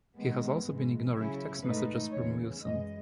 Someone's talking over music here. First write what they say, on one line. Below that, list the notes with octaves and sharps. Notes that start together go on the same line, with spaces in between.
He has also been ignoring text messages from Wilson.
D#3 G#3 B3
G#2 E3 G#3
C#3 F#3 C#4 E4
G#2 D#3 A3 D#4 B4
E2 C#3 E3 C#5
F#2 E3 G#3 D#5